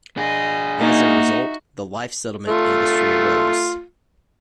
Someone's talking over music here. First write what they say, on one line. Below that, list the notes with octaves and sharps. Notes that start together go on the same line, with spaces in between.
As a result, the life settlement industry arose.
D4 G#4 D#5
A#3 D#4 F#4 E5
A3 F4